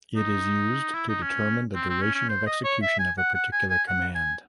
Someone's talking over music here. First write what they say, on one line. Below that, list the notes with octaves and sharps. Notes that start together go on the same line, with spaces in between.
It is used to determine the duration of execution of a particular command.
D#4
E4
D#4
C#4
C4
C4
C#4
C#4
C5
D#5
C#5
E5
G#5
F#5
F#5
G#5
G#5
F#5
G#5